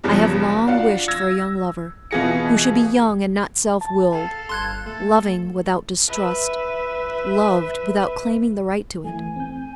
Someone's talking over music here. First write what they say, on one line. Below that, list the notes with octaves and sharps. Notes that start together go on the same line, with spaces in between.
I have long wished for a young lover, who should be young and not self-willed, loving without distrust, loved without claiming the right to it.
E2 G2 C#3 F3
D4 F4 F#4 F5 F#5
E6 G#6 A#6
B2 E3 F4 G#4 A#6 C#7
A5
A4 F5
G1 C6 F#6 G#6
A3 A4
B4 E5
E3 A3 G#5
C4 G6
G#5